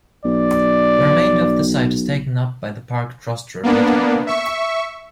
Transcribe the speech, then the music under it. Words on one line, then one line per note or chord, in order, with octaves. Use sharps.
The remainder of the site is taken up by the Parc Trostre retail park.
B1 D5
A#3 B3 D4
E5 C#6